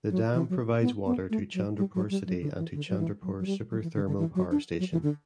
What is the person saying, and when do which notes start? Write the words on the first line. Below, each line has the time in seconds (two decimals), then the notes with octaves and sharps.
The dam provides water to Chandrapur city and to Chandrapur Super Thermal Power Station.
0.10 F#3
0.34 E3
0.49 F#3
0.81 B3
1.06 B3
1.30 A3
1.54 F#3
1.78 G3
1.95 F#3
2.10 G3
2.26 F#3
2.42 D3
2.58 E3
2.74 D3
2.88 F#3
2.99 E3
3.23 F#3
3.40 F#3
3.46 G3
3.71 F#3
3.82 E3
3.95 D3
4.07 D3
4.18 E3
4.35 F#3
4.51 D4
4.79 F#3
4.92 E3
5.03 D3